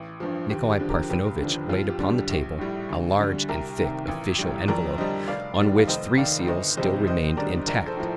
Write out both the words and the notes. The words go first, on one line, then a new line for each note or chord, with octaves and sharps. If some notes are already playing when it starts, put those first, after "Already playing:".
Nikolay Parfenovitch laid upon the table a large and thick official envelope, on which three seals still remained intact.
Already playing: A1
G2 F3
D#2 G4
G4
D3 F3
G4 A#4
F1 G4
D#2 D3 F3
F2 F4
G4
D3 G3
G4
A#1
A2 G3
D2
D3 G3
C2 G4 A#4
C3 D#3
A1
A2 G3
F2 A#4 D5
D3 G3 C5 D#5
F1 D5 F5
D#2 D#3 G3
F5
F1 C5 D#5
D#2 D#3 D5 F5
G1 C5 D#5
F2 C3 G3 C5 D#5
D#2 C5 D#5
D3 G3 A#4 D5
A#1 A#4 D5
A4 C5
A2 F3